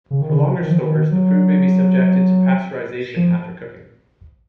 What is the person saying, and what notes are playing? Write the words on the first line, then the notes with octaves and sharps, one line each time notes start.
For longer storage the food may be subjected to pasteurization after cooking.
C#3
D#3
C#3
D#3
F3
D#3
F#3
F3